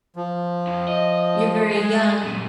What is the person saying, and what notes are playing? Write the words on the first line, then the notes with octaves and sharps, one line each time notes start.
you're very young,
F3
F2
D#5
G#3 G#4
F#2 A#2